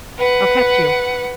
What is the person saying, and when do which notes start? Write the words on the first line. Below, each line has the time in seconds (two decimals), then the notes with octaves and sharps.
I'll catch you.
0.19 B4 F#5